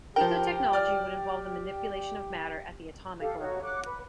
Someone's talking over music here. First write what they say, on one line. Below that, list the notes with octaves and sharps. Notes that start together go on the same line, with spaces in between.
Picotechnology would involve the manipulation of matter at the atomic level.
F3 G4 A#4 G5
D5 F6
G4 A4 F5
D#4 F#4 C#5
F#5 D6 F#6
B4